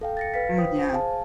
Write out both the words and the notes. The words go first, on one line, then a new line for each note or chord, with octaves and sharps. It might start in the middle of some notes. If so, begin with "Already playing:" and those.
Mm, yeah.
A4 F5 G5
A6 A#6 C#7
B4 F5 B6
F4 C5 G5 D#6
C5
G#4 F5 G#5 A5